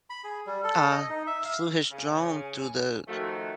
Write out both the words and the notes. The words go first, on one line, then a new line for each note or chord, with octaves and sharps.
uh, flew his drone through the
B5
G#4
G3
A4
D#5
D#4
E5
F5
C#3 G#5
D#3 F3 A3 F#4